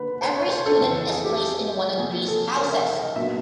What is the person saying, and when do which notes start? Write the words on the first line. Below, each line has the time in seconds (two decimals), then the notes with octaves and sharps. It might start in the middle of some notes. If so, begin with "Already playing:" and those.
Every student is placed in one of these houses.
Already playing: D3 A#3 B4
0.22 C5
0.36 C#5
0.51 C5
0.66 A4
0.80 F2 C#3 E3
1.10 G#4
1.25 G4
1.98 C3 F3 A#3 G#4
2.28 A4
2.57 A#4
2.72 E5
2.87 E5
3.02 D#5
3.16 A#2 F#3 B3 D4 E5